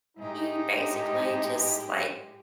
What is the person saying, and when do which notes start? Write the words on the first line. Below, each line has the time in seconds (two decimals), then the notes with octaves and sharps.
he basically just like
0.18 A2 G#3 D#4 G4